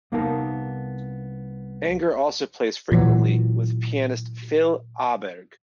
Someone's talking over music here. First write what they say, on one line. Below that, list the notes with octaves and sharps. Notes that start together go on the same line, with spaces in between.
Anger also plays frequently with pianist Phil Aaberg.
C2 A#3 B3 D#4 A#4 A5
A#2 E3 F#3